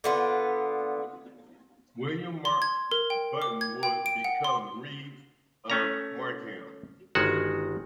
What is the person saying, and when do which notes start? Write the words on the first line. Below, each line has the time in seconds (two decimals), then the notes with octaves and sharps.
William Marr Button would become reeve of Markham.
0.04 D3 B3 F4
2.45 C6
2.62 G#6
2.92 A#4
3.10 G5
3.42 D6
3.61 G#6
3.83 G5
4.06 D7
4.24 F#5
4.44 C6
5.70 A3 C#4 A#5
7.15 G1 D#3 G#3 F#4 F#5